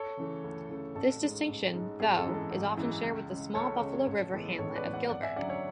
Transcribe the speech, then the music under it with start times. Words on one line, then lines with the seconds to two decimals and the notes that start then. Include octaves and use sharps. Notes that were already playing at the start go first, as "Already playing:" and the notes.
This distinction, though, is often shared with the small Buffalo River hamlet of Gilbert.
Already playing: A4 C#5
0.17 C#3 E3 A3
0.44 D2
0.70 C#3 E3 A3
0.95 A1 A4
1.22 G#2 G#3
1.48 A1
1.74 G#2 G#3
2.00 G#1 G#4
2.17 A4
2.25 F#2 E3 G#3
2.34 A4
2.51 G#1
2.77 F#2 E3 G#3
3.03 C#2
3.29 C#3 G#3
3.55 C#2 A4 C#5
3.81 C#3 G#3
4.07 A1
4.33 A2 E3 G#3 B3
4.58 A1 A4 C#5
4.76 B4 D5
4.84 A2 E3 G#3 B3
4.93 D5 F#5
5.10 G#1 D5 F#5
5.23 E5 G#5
5.36 F#2 D3 F#3 D5 F#5
5.49 C#5 E5